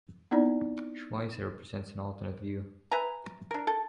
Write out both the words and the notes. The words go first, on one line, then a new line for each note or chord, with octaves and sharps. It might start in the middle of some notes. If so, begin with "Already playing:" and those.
Schweizer presents an alternate view.
B3 C4 D#4 E4 D5
B4 E5 G#5 A#5
D4 A#4
A4